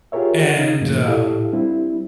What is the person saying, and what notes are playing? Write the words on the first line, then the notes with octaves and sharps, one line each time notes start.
and, um,
F4 G4 G#4 A#4 C#5 E5
D#3 D#4
F#2 A2 E3 A#3
E4 G4 A4 F5
G3 C4 D4 E4